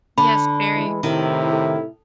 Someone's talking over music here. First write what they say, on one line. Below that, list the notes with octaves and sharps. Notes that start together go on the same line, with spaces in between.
Yes, very.
D3 B5
E3 G#3
A2 C3 D#3 E4
A4